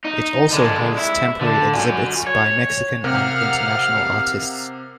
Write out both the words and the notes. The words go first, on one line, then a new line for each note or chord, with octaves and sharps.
It also holds temporary exhibits by Mexican and international artists.
D#4
D3 G#3
E4
D3
F#4 G#5
C#5
C3 G4 A#4 F5 F#5 F6